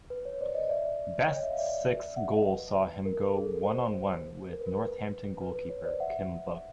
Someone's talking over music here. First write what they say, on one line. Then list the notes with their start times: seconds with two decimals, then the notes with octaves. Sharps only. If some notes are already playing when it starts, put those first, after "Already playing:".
Best's sixth goal saw him go one on one with Northampton goalkeeper Kim Book.
0.10 B4
0.25 C#5
0.41 C5 D5
0.54 C#5 D#5
0.69 D5 E5
1.28 C#5 D#5
1.43 E5
1.51 F5
1.58 D5 E5
2.16 E5 F#5
2.31 D#5 F5
2.47 B4
3.06 A#4
3.35 G#4
3.45 A4
3.54 A#4
3.64 C5
4.52 A#4
4.61 B4
4.67 A#4
4.81 B4
5.41 B4
5.55 B4
5.70 C#5
5.85 C5 D5
6.00 E5 F#5